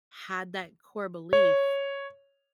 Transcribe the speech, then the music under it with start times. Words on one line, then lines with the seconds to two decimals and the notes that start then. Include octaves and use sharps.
had that core belief,
1.33 C#5